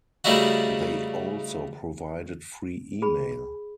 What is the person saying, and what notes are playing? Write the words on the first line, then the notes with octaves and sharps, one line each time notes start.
They also provided free email.
C#3 G3 A3 D#4 E4 F#4
G#4 B5